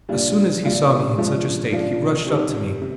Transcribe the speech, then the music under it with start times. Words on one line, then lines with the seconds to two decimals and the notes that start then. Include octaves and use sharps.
As soon as he saw me in such a state he rushed up to me.
0.09 A#2 G3 D4 F4
0.63 A#2 G3 D4 F4
1.18 F3 G#3 D4 F4
1.72 F3 G#3 D4 F4
2.27 C3 D#3 G3
2.82 C3